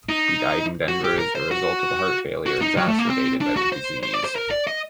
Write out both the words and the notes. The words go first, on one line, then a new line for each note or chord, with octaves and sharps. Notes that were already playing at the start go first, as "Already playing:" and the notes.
He died in Denver as the result of heart failure exacerbated by the disease.
D#4
F#4
G4
A#4
C5
F#4
F#4
D#4
F#3
A3
A#3
C4
D4
F#4
C5
C5
D5
C5
A#4
D5
D#5